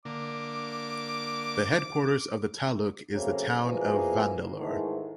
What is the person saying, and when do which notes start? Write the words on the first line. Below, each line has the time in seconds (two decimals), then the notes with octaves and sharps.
The headquarters of the taluk is the town of Vandalur.
0.05 D3 A#3 D6
3.13 C#3 F#3 A3 A#3 C4
3.62 E2 B2 F3 A#3 G#4 B4
4.57 G#2 D#3 E3 G#3 A3